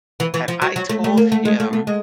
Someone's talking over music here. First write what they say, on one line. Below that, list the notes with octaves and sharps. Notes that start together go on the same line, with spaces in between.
And I told him
E3
E3
F3
F#3
F#3
A3
A3
A#3
A3
G#3
A3
A3
G#3